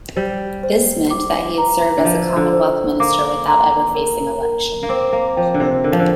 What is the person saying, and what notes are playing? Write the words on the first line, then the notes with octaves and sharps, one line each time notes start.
This meant that he had served as a Commonwealth Minister without ever facing election.
G3 C5
C5
D6
A#5
D3
F3 C5
D3
C5
A#3 D6
A#5
A#4
A#4
A#3
C4 D6
A#3
F3 G5
D3
C3
D3 A#4
F3
D3